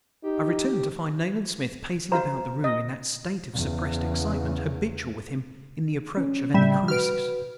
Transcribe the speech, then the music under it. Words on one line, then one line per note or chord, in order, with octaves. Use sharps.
I returned to find Nayland Smith pacing about the room in that state of suppressed excitement habitual with him in the approach of any crisis.
D#4 G4
F#4 C5 F5 A#5
D#5
E2 C#3
C#4
A2 C#3 G3 E5
F#4 B4 F6 D7